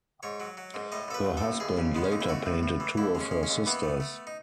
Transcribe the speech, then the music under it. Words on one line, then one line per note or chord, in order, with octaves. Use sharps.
Her husband later painted two of her sisters.
G#2 C#5
F#3
F#3
G#2
A2 D#5
A1 A4
B4
A1
A4
A2
D#2 G#4
C#3
G#3 B3
C#4
D#2 D#4
E4
A3 F#4
A2
A2
E3
D#2 E4
G#3
C#4
G#3
C#4
D#2
E3 B3
A3
A3
D#4